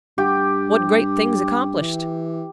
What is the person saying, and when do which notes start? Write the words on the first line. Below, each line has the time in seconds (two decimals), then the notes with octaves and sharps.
What great things accomplished!
0.18 G2 G4
1.81 E3